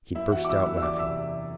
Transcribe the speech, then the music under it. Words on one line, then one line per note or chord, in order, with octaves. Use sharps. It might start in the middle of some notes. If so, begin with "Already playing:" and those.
He burst out laughing.
F#2 E4 E5
E3 F#4 F#5
D6
E3 E5 E6
F#2 E5 E6
E6
E2 D5 D6
C3 E5 E6